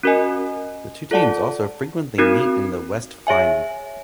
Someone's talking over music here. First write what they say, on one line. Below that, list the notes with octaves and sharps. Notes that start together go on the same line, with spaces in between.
The two teams also frequently meet in the West Final.
C#4 F#4 A#4 D#5 G#5
F4 A4 D5 F#5 A5
C4 D#4 F#4 A#4
G#4 C#5 E5 G#5